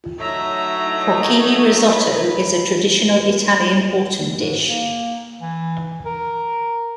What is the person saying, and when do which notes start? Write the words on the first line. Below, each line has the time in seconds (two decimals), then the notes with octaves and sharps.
Porcini risotto is a traditional Italian autumn dish.
0.19 F#3 A3 D#4 E5 A#5
1.88 B4
4.37 G#2
4.68 A#3
5.41 E3
6.06 A#4